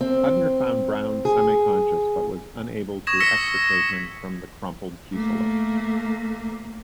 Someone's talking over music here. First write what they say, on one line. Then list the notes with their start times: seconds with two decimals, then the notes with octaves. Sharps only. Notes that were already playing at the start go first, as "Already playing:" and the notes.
Hudner found Brown semi-conscious, but was unable to extricate him from the crumpled fuselage.
0.01 C4
1.25 G#4
3.07 C#6 D#6 G#6 A#6 E7
3.20 E6 A#6 B6 C#7 G7
5.13 A3 A#3